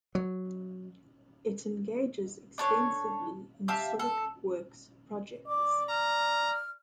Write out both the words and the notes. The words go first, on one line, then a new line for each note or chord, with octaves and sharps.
It engages extensively in civic works projects.
F#3
D4 A4 C#5
G4 E5 F5 A5
A4
D5 D6
A#5 F6